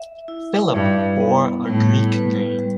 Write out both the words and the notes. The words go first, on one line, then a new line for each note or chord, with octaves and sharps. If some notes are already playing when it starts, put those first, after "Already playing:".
Philip bore a Greek name.
Already playing: E5
E4
G2 D#4
B3
A2 G3
B4
G3